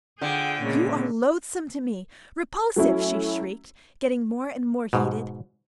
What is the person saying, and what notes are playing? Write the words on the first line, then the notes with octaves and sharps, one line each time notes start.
"You are loathsome to me, repulsive!" she shrieked, getting more and more heated.
D3 F4 G#4 C5 F#5 G5
A#2 C#3 G#3 C#4
F#3 A3 C#4 E4
G#2 B2